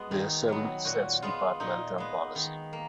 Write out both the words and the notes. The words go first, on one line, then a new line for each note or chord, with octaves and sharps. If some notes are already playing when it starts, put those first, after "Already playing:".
The Assembly sets departmental policy.
Already playing: G#3 B3 F#4 G#4
D#3
F#3 B3
A#2 F#4
G#3 B3 F4
A#2 D#4
G#3 B3
D#3
A#3